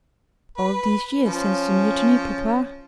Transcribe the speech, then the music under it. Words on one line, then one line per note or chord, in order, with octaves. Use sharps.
'All these years since the mutiny, papa?'
B4
F3 C#4